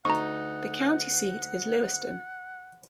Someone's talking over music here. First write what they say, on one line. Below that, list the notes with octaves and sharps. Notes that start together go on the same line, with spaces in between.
The county seat is Lewiston.
D2 D#4 F#5 A#5 C#6